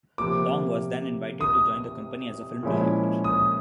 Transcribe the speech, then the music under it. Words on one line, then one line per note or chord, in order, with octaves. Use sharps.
Tong was then invited to join the company as a film director.
C3 F3 A#3 D6
D#6
A#2 F3 G#3 C#4 E4
D#6